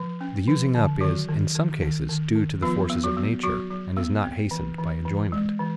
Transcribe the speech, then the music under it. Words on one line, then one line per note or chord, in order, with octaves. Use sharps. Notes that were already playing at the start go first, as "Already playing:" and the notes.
The using up is, in some cases, due to the forces of nature, and is not hastened by enjoyment.
Already playing: F3
C#4
F3
D3
D#3 F#3 F#4
D#3
D#3
D#3
D#3
D#3
F3 B3 F4
B3
F#3 F#4
B3
F#3 F#4
F#3
B3
C4
E3
E3
E3
G#3
E3